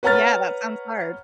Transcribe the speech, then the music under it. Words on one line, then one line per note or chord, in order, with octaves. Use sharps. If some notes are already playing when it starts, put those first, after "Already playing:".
Yeah, that sounds hard.
B4 C#5 F#5 A#5 F6 A6